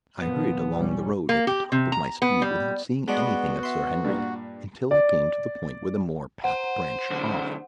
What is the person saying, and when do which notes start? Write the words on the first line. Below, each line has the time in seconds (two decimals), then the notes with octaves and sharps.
I hurried along the road at the top of my speed without seeing anything of Sir Henry, until I came to the point where the moor path branches off.
0.22 A#2 F3 B3
0.74 B1 G3 C#4
1.29 A#3
1.47 G4
1.72 C3
1.92 A#5
2.22 B3
2.42 G3
3.08 G#3 B3 D4 F#4
3.63 E5 C6
4.04 G2 A#2
4.91 D5
6.44 C5 F#5
7.10 B1 D3